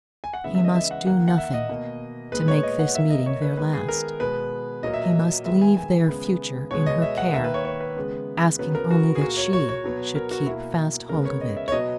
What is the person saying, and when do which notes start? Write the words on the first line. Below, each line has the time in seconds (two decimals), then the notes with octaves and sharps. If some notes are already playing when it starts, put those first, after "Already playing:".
He must do nothing to make this meeting their last; he must leave their future in her care, asking only that she should keep fast hold of it.
0.24 G#5
0.33 F#5
0.44 C#3 E3 G#3 B3 E5
0.55 E5
0.64 D#5
0.75 E5
0.91 F#5
1.06 D#3 A#3 F#5
1.28 F#5
1.38 E5
1.54 D#5
1.69 B2 A#3
2.32 A#2 G#3 B3 B4
2.48 C#5
2.63 D#5
2.79 F#5
2.95 D#3 A#3 E5
3.10 D#5
3.26 C#5
3.42 B4
3.57 D#3 G#3 B3 B4
3.73 G#4
3.89 A#4
4.20 B2 G#3 B3 B4
4.83 A#2 F#3 A#3 D#5
4.94 E5
5.04 D#5
5.45 D#3 G#3 B3 E5
5.61 G#5
5.77 G#5
6.08 C#3 G#3 B3
6.71 B2 G#3 B3 C#5
6.86 D#5
7.02 E5
7.18 F#5
7.33 D#3 A#3 E5
7.44 B4
7.54 C#5
7.65 C#5
7.80 B4
7.96 C#3 G#3 B3
8.59 C#3 F#3 B3 B4
8.75 A#4
8.91 F#4
9.15 G#4
9.21 A#2 A#3 F#4
9.37 C#5
9.53 C#5
9.69 C#5
9.84 B2 F#3 B3
10.15 A#4
10.31 F#4
10.46 B2 A#3 E4
11.09 C#3 G#3 B3 A#4
11.25 C#5
11.41 D#5
11.57 E5
11.68 C#5
11.72 B2 F#3 B3 D#5